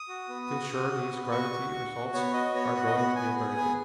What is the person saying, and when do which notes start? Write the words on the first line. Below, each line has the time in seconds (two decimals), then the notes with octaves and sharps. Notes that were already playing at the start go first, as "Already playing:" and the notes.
I feel sure these gravity results are going to be very good.
Already playing: D#6
0.09 F#4
0.29 B3
0.50 F#4
0.71 F#4
0.91 F#4
1.12 B3
1.31 F#4 C#6
1.52 F#4
1.73 F#4
1.93 F#4
2.13 B3 C#5
2.33 F#4 D#5
2.54 B3 C#5
2.75 F#4 F#5
2.86 D#5
2.95 B3 F#5
3.16 B3 G#5
3.36 G#4
3.57 B3 G#5